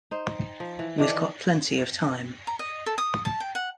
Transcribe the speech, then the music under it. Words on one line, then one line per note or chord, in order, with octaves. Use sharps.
We've got plenty of time.
D#4 C5
F3
E3
D#3 E3 D4 D5
A#5
D#5
A4
D#6
A5
G5
F#5